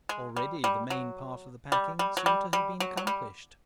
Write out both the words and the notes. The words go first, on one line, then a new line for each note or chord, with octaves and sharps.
Already the main part of the packing seemed to have been accomplished.
G#3
G3
G3
F#3
G3
G3
F#3
G3
G3
F#3
F#3
G3